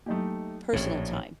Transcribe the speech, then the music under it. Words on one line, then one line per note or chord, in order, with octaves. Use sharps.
personal time.
F#3 A3 A#3 D#4 G4
A#1 A2 C#4 G4 C#5